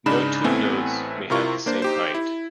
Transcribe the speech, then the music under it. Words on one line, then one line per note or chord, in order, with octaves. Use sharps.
No two nodes may have the same height.
G#2 C#3 D4 D#4 B5 E7
A1 A3 B3 C4 E4 G#5
C3 E4 F4 A#4 C#6
A#3 D4 C5
D#4 G4 C5
E4